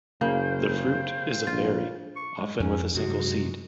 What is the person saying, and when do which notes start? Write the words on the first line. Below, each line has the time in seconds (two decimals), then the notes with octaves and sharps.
The fruit is a berry, often with a single seed.
0.21 F#1 C#3 A#3 C5 G5
1.47 A#1 F4
2.16 C#6
2.38 G#3
2.60 F2 C#4
2.94 F#2 C3 G#3 F#4